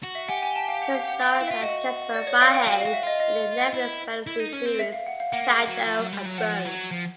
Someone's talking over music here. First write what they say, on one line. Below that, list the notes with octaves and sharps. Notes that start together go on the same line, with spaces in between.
He stars as Jesper Fahey in the Netflix fantasy series "Shadow and Bone".
F#4
E5
G4 F#5 G#5
F#5 G#5
G5 A5
F5 G5
F#5
F5
F#5
F5 G5
F5 G5
E4
F4 E5
F#4 D#5
D5
C#5
F5 G5
F5 G5
F#4 F5 G5
F#4 F5
E5
F4 D#5
D#5
E4
E4
D#4
C#4
C4
E5
F5
F#5
F5
A#3 F#5
G#3
F#3
F3
F#3
G3
F#3
F3 F#5
F#3
F3